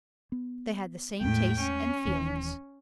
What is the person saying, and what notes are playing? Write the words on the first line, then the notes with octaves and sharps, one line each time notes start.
They had the same tastes and feelings.
B3
E2 A2 G#3 A3 G5
C#4
D#1 D#2 E3